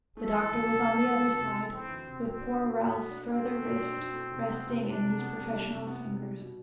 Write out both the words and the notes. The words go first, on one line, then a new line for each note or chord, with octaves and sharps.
The doctor was on the other side, with poor Ralph's further wrist resting in his professional fingers.
A3 A4
E3
D2
C3
A3
E3
D2
C3
A3
E3 C4
D2
C3
B2 C4
D4
B2
A3 B3
B2
D4
B2 C4
A3
B2
D4
B2
A3
C3
B3
C3
G3 D4
C3
B3
C3
G3
C3
B3
C3
G3
B2